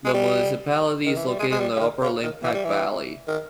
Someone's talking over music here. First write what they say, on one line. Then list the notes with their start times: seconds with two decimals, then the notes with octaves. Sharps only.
The municipality is located in the upper Limpach valley.
0.05 G#3
0.14 G3
1.06 D#3
1.17 E3
1.28 G3
1.39 G#3
1.51 G#3
1.60 G3
1.76 C#3
1.80 D#3
2.02 C#3
2.23 D#3
2.43 E3
2.54 G3
2.64 E3
3.28 D#3